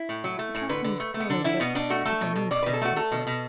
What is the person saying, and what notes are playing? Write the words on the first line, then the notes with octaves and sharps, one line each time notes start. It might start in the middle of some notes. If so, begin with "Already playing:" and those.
The captain's curly lip took a new twist upward.
Already playing: E4
A2
F#3
A3
A2
D3 B4
D3
A3
A3
B3
D3 D4
D3 E4
B2 B3
B2 D4
A3 F#4
A3 A4
B2
B2
B2 D5
B2 B4
A4
A3 F#4
A3 A4
B2
B2